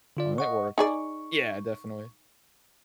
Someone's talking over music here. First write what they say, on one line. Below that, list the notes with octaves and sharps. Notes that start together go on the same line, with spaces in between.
um, it worked. Yeah, definitely.
D3 F4 D5
D#5 F#5 C#6
D#4 G#4 D5 C#6